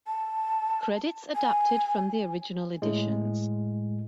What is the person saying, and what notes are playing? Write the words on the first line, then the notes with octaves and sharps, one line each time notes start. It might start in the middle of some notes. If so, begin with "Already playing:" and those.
Credits adapted from the original editions.
A5
G#5
A2 G#3